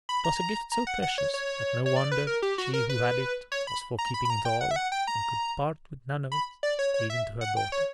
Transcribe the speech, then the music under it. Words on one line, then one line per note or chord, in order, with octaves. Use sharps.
'Twas a gift so precious, that no wonder she who had it was for keeping it all, and could part with none of it, even to her daughter.
B5
A#5
A#5
F#5
F#5
C#5
C#5
C#5
D5
B4
A#4
G4
F#4
A#4
B4
C#5
B5
A#5
B5
B5
A#5
G5
F#5
E5
F#5
G5
A#5
B5
D5
C#5
C#5
E5
F#5
G5
C#5